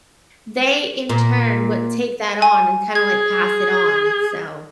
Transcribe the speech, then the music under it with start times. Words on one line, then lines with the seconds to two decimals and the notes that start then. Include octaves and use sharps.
they, in turn, would take that on and kinda like, pass it on, so
1.09 A#2
2.42 G#5
2.95 G#4 G#6